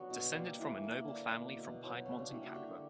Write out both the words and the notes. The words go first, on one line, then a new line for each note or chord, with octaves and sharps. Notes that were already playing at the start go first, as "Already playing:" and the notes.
Descended from a noble family from Piedmont and Capua.
Already playing: D3 F#3 B3 F#4
B2
G3 A#3
E3
A#3
E4
D3 D4
A#3
B2
F#3 B3
C#3 C#4
D4
G3 A#3 E4
F#4
D3 G4